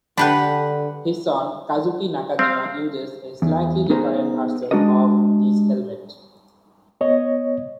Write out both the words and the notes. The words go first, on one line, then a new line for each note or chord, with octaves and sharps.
His son Kazuki Nakajima uses a slightly different version of this helmet.
D3 D4 G4 B4 F#5 B5
C4 F5
E2
B3 D#4 G#4 A#4 C5
G#3 D4 F#4 A#4 D#5
B3 C#5 D#5